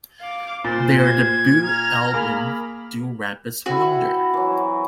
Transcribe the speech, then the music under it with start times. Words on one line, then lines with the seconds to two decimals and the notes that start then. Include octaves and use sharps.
Their debut album, Do Rabbits Wonder?
0.21 F5 D6
0.65 A#2 C5 A6
1.03 G#6
1.65 A#5 F6
2.14 A#3 G#4 B5
3.66 C4 E4 F#4
4.34 E3 F#3